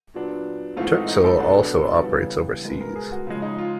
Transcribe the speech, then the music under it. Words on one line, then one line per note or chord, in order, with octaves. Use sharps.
Turkcell also operates overseas.
A#2 F#3 B3 D4
G#2 E3 A3 C4 F4
D#4
D#4
A4
B2 F#3 B3 D4
C#3 E3 G3 B3
B2 G#3 B3 A#4
A#4
G#4
F#4
C#3 F3 G#3 F4
D#4
F4